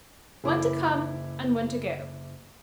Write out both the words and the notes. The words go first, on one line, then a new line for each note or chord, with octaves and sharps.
One to come, and one to go.'
F#1 E3 E4 D6